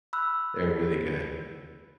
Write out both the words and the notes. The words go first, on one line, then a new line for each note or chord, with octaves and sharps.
They're really good,
B5 E6 F#6